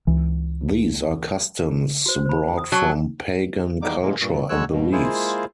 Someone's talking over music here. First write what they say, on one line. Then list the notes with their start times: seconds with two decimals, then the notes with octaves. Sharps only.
These are customs brought from pagan culture and beliefs.
0.07 C#2 E3
2.06 F#4 C5
2.25 C5 B5
2.57 D#6
2.72 F#3 A5 C#6
3.82 E2 D#3 G3 A#3 D#4 D6
4.02 B2 E3 F#3 G#3 A#3
4.21 G2 A#2
4.49 D3 F#3 G#3 C#5 E6 F#6
4.71 G2 B2
4.92 G#3 A#3 E4 F4 G#4 C5